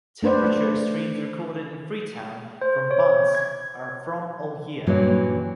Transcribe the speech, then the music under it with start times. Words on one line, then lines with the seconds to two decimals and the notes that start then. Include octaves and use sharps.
Temperature extremes recorded in Freetown from Bunce are from all year.
0.23 A3 D4 B4 C5 D5
2.61 C5
2.91 C#5
3.35 G#6
4.87 G2 A#2 E3 F#3 C#4